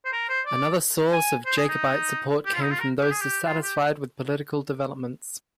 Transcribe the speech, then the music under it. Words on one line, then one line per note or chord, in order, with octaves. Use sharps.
Another source of Jacobite support came from those dissatisfied with political developments.
C5
A#4
C5
D5
G#5
C5
G#4
D#4
G4
F4
D#4
F4
A#4
G4
G#4
G4
F4
G4